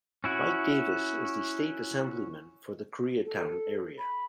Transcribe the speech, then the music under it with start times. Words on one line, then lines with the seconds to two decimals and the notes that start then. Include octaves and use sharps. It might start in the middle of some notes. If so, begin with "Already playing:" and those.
Mike Davis is the State Assemblyman for the Koreatown area.
0.24 C#4 E4 F#4
3.25 A4
3.98 B5